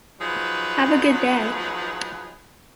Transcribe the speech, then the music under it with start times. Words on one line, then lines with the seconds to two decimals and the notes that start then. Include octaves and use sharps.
Have a good day.
0.21 F3 F#3 D#4 G#4 B4